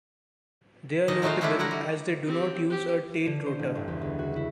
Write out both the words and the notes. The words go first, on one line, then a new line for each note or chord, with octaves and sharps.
They are notable as they do not use a tail-rotor.
A#2 D#3 C#4 D#4 D#5 A5
G#3 A3 D#4 F#4 C5 F5
E3 G#3 A3 C#4 D4 E4
D3 F3 E4 F#4 A#4 F#5
G3
C4 G4
G4
D3
C5
A1
G1
E2
C#2
F#4
E4